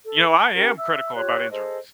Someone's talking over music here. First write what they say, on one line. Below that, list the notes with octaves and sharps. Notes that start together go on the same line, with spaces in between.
You know, I am critical about injuries
A4
A5
C#4 G4 A#4
E5 E6
F4 G4 C#5 F#6
G#4 A4 C5 D#5